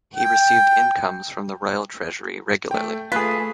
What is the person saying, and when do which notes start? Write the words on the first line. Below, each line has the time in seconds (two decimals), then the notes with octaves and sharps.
He received incomes from the Royal Treasury regularly.
0.15 G5
2.71 A3 G5
3.12 A3 F4 G#4 B4 B6